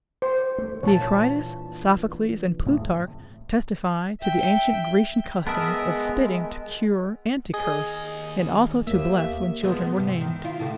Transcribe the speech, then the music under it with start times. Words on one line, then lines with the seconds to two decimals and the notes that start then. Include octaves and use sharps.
Theocritus, Sophocles, and Plutarch testify to the ancient Grecian customs of spitting to cure and to curse, and also to bless when children were named.
0.22 C5
0.58 A3
0.83 G2 A#2 E3 C#5 A5
2.66 A2 G#3
4.21 E5 G5
5.47 G#3 B3 A#4 D#5 E5 A5 B5 D#6
7.54 D#2 G#4 D#5
8.87 D#2 A#3 E5
9.63 F3 G#3 B3
9.82 B3
9.96 G#2 C3
10.21 D#3
10.44 E4 F4
10.59 A2 C#3 A3